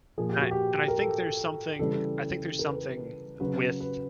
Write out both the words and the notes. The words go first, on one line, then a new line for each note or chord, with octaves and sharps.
I and I think there's something I think there's something with
A#2 F3 G#4
G4
F#4
G4
A#4
A4
C#3 E3 G3 A4
A#4
B4
A#4
C#3 F#3 B4
B4